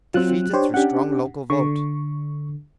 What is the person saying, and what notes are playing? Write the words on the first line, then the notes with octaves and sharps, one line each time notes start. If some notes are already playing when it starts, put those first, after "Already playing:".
Defeated through strong local vote.
F#3 C4 F4 F#6
D4 G4 C5 C#5
C#4 D4 G4 F#5
D3 C#6